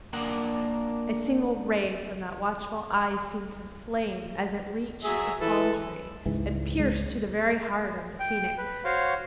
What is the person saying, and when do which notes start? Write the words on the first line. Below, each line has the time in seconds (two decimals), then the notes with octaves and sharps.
A single ray from that watchful Eye seemed to flame as it reached the palm tree and pierced to the very heart of the Phoenix.
0.13 A#3 D4 A#4 F#5
5.04 F#3 G#4 E5
5.41 E3 A4 B4
6.26 C#2 G#2 E3
6.79 G#3
8.20 G5
8.58 B4
8.84 F#4 C5 C#5 F5 C6